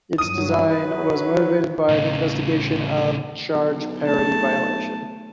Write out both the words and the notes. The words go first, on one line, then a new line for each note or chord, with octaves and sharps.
Its design was motivated by the investigation of Charge Parity violation.
G2 F#3 D#6 D#7
F#3 B4
A2 C#3
B1
A3 A5